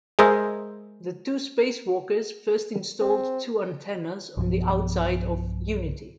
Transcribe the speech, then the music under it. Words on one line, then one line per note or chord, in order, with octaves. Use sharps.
The two spacewalkers first installed two antennas on the outside of "Unity".
G#3 G#4 A#4 C5 D#5 E5
C4
B1 G2 B2 F3